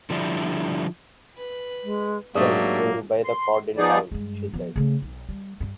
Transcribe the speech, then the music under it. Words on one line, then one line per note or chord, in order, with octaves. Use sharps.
"Then we will buy the cord in town," she said.
D3 F3 G3 D4 E4
B4
G#3
G#2 F#3 A3 A#3 D4 G4 D#6
C6
F3 B3 D#4 G#4 D5
G2 G#3
F3 B3
C#3 A3
B1
G3
G2